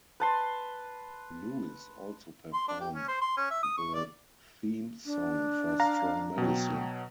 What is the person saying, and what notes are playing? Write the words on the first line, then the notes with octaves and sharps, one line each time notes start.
Lewis also performed the theme song for "Strong Medicine".
B4 A5 C6
C6
D4
G4
C#4
C5
C6
C#4
E5
D#6
C#6
D5
D4
F5 A#5
B2 F#3 G5